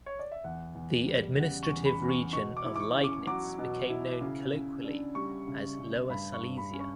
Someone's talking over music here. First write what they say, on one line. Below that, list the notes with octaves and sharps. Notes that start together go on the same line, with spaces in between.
The administrative region of Liegnitz became known colloquially as "Lower Silesia".
C#5
D5
E5
E2 F#5
E2
G3
C#3 F#5
C#6
E2
B5
E2
C#6
B2 C#6
D6
E4
D6
C#6
C#4
D6
F#3 D6
B2
E4
C#3
C#3
D4
G3 C#6
C#3
C#3
G2 B5
C#6
G2
B5
C#4
C#6